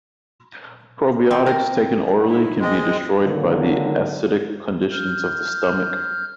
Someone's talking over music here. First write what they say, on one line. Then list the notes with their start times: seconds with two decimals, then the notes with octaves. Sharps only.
Probiotics taken orally can be destroyed by the acidic conditions of the stomach.
1.31 C4
1.46 A#4
2.25 D#4 E4
2.59 G#3 C4 D#5
3.22 D3 D#3 F#3 G#3 A#3
4.91 F6 G6